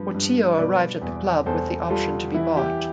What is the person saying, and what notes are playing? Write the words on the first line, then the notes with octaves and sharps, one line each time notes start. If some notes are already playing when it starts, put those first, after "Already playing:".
Portillo arrived at the club with the option to be bought.
Already playing: G2 F3 B4
G2
B2 B4 D5
E2
E2 A4 C5
G3 F4 A4
E3 E4
E4 G4